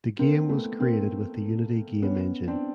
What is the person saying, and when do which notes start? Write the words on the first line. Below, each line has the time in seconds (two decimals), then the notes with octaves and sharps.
The game was created with the Unity game engine.
0.19 A#3 C4
0.49 A3 B3
0.80 A#3 C4
2.02 B3 C#4
2.48 C4 D4